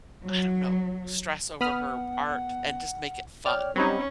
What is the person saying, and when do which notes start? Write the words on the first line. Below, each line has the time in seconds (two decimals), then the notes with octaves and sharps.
I don't know, stress over her art and just make it fun.
0.24 F#3
1.61 B3 F#5 B5 D#6 F6
3.46 C#5 D5 G5 F6
3.76 F#3 G3 C4 C#4 D#4 B5 G#6